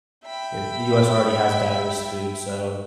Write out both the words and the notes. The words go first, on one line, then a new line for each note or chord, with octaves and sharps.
eh, the US already has diverse food, so,
E5 G5 B5